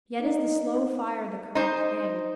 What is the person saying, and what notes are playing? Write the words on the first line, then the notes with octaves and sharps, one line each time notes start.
Yet is the slow fire the correct thing.
D#4
D#4 C5